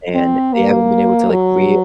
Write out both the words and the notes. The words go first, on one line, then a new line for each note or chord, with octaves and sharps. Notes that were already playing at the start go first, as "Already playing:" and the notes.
and they haven't been able to, like, real
C4
A#3
F#3